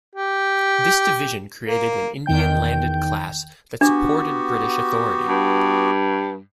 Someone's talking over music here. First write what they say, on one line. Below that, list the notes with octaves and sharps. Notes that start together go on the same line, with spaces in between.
This division created an Indian landed class that supported British authority.
G4
A#3
E2 D#3 G5 G6
B3 D4 F#4 G4
G2